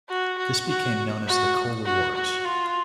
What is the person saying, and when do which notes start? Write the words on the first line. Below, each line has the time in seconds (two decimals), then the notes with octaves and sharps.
This became known as the "Cola Wars".
0.09 F#4
0.38 F#4
0.67 F#4
1.27 F#4
1.85 F#4
2.14 F#4
2.45 F4